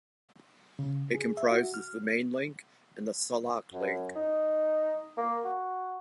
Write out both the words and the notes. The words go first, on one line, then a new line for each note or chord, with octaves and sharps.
It comprises the Main Link and the Salak Link.
C#3
G#4
E5
F#4
F6
F#2
D#4
A#3
F#4